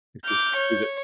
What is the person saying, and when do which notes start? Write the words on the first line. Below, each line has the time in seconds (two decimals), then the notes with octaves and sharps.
Because do tha
0.25 D6 F6 G6
0.57 C#5